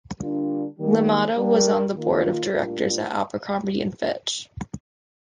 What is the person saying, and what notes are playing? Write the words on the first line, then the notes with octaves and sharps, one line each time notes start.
Limato was on the board of directors at Abercrombie and Fitch.
D3 G3 A#3 D4 F4
D#3 G3 A#3
G3 D4 G4 A#4
D#3 A#3 F4
A2 G3 A#3 D4 F4